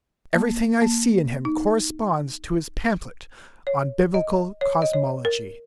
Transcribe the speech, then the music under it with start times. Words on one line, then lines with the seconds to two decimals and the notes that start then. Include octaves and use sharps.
"Everything I see in him corresponds to his pamphlet on Biblical Cosmology."
0.35 A#3
0.82 A#3
1.45 D#4
3.67 C#5
4.14 D#5
4.61 C#5
4.82 D#5
4.93 C#5
5.25 A#4